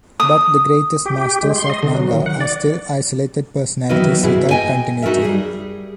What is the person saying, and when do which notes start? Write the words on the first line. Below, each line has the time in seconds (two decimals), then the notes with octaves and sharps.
But the greatest masters of Nanga are still isolated personalities without continuity.
0.20 D#6
1.06 G4
1.18 G4
1.43 G#3
1.56 C6
1.70 D#5
1.83 D3
1.95 F#3
2.13 D#3
2.26 F#5
2.40 D5
3.89 D#3 E3 F#3 B3 D#4 E4
4.23 B2 E4 F#4 G#4
4.51 D#5 G5 G#5
5.02 D#4 F#4 A4 A#4 E5
5.22 G3 G#4